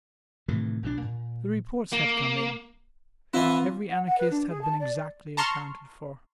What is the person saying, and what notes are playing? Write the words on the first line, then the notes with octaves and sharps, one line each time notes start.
The reports had come in: every anarchist had been exactly accounted for.
A2 C3 D#3 E3
B1 B2 E3 D4
A#2
A#3
E3 C4 E4 F4
F#5
F#5
B4
D4
G#4
A5
D5
A5 A#5 C6 C#6 F6